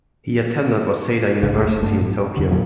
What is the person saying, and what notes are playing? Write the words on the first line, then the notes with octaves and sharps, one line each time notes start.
He attended Waseda University in Tokyo.
E1 A#1 G#2 C#3
F1 A3
G#1 G2 A3 D4
A2
F2 D3
A#2 F3 F#3